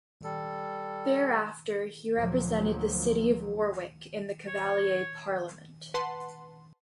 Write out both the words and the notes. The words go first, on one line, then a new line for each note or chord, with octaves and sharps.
Thereafter he represented the city of Warwick in the Cavalier Parliament.
G3 A4
D2 A#2 F3 F#3 A#3
C#5
B4 F#5 A5 C6